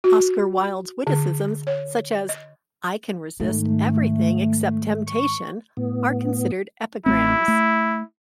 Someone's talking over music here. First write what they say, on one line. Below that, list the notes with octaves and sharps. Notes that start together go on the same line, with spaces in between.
Oscar Wilde's witticisms such as "I can resist everything except temptation" are considered epigrams.
F#4
D3
C#5
D#5
G#2 D#3 A3
C#6
A2 B3
A1 A3 C4 E4
A3